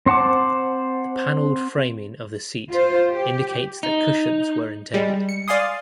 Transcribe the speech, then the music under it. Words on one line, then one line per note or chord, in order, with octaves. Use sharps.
The panelled framing of the seat indicates that cushions were intended.
C4 C5 F#5 A5 D6
F4 C5
G4
D#4
G3 G#3
C#7
D5 F5 G#5 C6 D#6